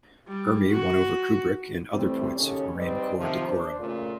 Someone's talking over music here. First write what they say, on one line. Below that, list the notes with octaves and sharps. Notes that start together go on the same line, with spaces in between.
Ermey won over Kubrick in other points of Marine Corps decorum.
G3
F#4
E3 G3 A3 C4
D#2 C#3 C#4 G4 A4 C#5
G#2 G3 C4 B4 D5 D#5
C3 D#3 F3
D4 C5
D2 A#2 C#3 A3 A#3 F4